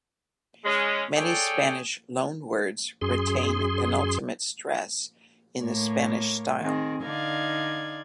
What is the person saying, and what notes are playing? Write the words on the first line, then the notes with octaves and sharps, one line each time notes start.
Many Spanish loanwords retain penultimate stress in the Spanish style.
G#3 C#4
G#4 A4 C#5 D5 G5
F#2 G#4 C6
A2 A#3 C#5
D#3 C4 G#4
D3 D#4 D5 F5 G#6